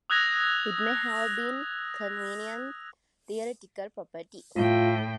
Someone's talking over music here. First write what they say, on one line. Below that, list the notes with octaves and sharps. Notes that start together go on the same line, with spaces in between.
It may have been convenient theatrical property.
D#6 E6 F#6 G#6 A#6 F7
A2 F4 G5